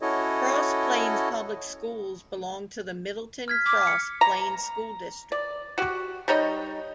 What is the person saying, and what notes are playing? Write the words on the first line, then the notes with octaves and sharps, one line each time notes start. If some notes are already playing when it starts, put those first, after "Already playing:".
Cross Plains Public Schools belong to the Middleton-Cross Plains School District.
C#4 E4 F#4 A4 C#5 D#5
F6 G#6 B6
D6 G#6
C#7
A#5
D5
F#4 G4
G3 D#4 C#5 D#5